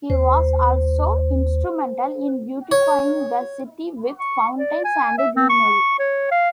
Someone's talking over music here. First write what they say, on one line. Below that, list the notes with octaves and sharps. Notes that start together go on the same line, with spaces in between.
He was also instrumental in beautifying the city with fountains and greenery.
D#2 C5
C#5
C#6
D5
G#5
E5
C4
C#6
C#5
F5